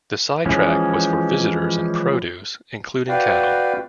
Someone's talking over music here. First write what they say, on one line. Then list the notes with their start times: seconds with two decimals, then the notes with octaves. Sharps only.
The side track was for visitors and produce including cattle.
0.46 E3 F3 G#3 C#4
3.09 F#4 B4 D5 F5 G5